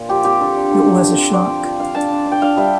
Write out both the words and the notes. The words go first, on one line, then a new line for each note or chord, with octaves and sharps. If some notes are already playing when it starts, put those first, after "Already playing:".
It was a shock.
Already playing: A#2 F4
F3 G4
C4 G4
D3 A4
D3
D3
D3
D3
C4 C5
F3 D5
F3
F3
D4 F5
D4 A5
D4
D4
G5
D4 F5
G3 E5